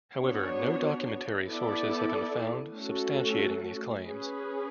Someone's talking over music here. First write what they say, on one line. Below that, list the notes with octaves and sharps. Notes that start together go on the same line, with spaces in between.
However, no documentary sources have been found substantiating these claims.
B3 D4 F#4 C#5
B3 E4 A4 D5
A3 C#4 F#4 A4
C#4 G#4 B4